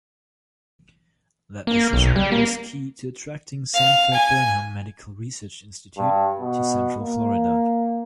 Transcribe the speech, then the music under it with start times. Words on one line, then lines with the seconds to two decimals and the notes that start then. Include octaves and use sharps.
That decision was key to attracting Sanford-Burnham Medical Research Institute to Central Florida.
1.67 A#3
1.93 B1
2.16 G3
2.32 A#3
3.74 F5
4.13 G#5
5.98 G2
6.40 B2
7.01 A#3